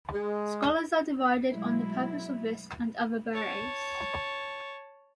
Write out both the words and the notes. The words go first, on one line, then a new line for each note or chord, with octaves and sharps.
Scholars are divided on the purpose of this and other barays.
G#3
B2 F#3 G#3 A3 E4
C#5 A5